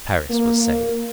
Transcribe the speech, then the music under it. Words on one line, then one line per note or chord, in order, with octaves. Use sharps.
Paris was saved.
A#3